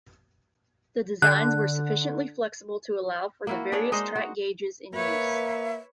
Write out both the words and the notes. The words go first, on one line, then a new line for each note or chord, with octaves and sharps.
The designs were sufficiently flexible to allow for the various track gauges in use.
D3 F#6
A#3 E4 F#4
D4 G#4 C#5 D5
G#3 D#4 C5 D#5
F#4
A#3 B4 C#5 E5